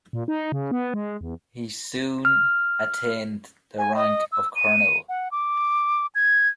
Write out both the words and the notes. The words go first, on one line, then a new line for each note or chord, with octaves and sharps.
He soon attained the rank of colonel.
A#2
D#4
C#3
B3
G#3
E2
F6
G#5
D#5
E6
D#7
F#5
D6
G#6